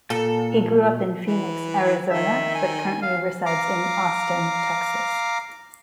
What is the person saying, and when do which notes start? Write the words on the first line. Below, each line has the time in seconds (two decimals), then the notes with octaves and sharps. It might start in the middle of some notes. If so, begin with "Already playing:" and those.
He grew up in Phoenix, Arizona, but currently resides in Austin, Texas.
0.10 A#2 A4
1.26 E3
2.10 D#3 E5
2.55 G#5
3.02 F5
3.46 F5 A#5 D6